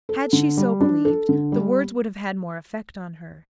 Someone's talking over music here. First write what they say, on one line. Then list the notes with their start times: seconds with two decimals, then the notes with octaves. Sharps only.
Had she so believed, the words would have had more effect on her.
0.09 A4
0.33 D3
0.57 G3
0.81 D4
1.05 A4
1.29 D3
1.52 G3